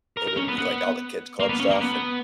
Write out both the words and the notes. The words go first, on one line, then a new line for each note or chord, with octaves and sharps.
it would be, like, all the kids club stuff and,
A#4
A#4
C#4
B3
B3
A#3
B3
C#4
A#3
B3